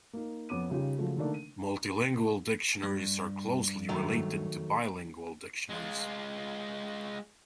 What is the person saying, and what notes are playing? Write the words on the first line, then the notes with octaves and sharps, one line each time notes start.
Multilingual dictionaries are closely related to bilingual dictionaries.
A#3 D#4
F2 B3 C#4 D6 D#7
C#3 G3 C#4 D#4 F4 G4
C#3 F3 F#3 G#3 A3
D3 D#3 A3 A#3 D4 D#4
D#7
G2
D#3 F#3 A3
G#3 F4